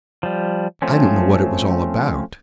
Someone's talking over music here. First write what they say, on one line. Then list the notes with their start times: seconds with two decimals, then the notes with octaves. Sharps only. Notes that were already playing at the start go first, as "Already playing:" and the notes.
I don't know what it was all about.
0.23 F3 G3
0.82 F3 A3 C4 C#4